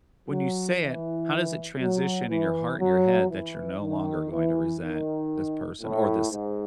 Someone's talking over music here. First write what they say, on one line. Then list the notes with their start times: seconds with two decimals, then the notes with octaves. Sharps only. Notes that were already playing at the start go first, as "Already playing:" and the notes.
When you say it, how does it transition in your heart and your head that you're no longer going to resent this person or this
0.29 F#3
0.79 E3
1.79 F#3
2.29 E3
2.80 F#3
3.29 E3
3.81 D#3
4.30 E3
4.81 D#3
5.81 A2
6.31 G#2